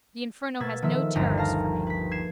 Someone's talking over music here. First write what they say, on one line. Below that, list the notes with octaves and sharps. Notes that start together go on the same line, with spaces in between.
The inferno has no terrors for me.
B2 A#3 B4 E6 G#6 A6
D#3 F3 A4 E5 E6
G1 D#2 F3 D#4 A#5 B6
F5 A5 A#5
B4 B6
G#6 C7 E7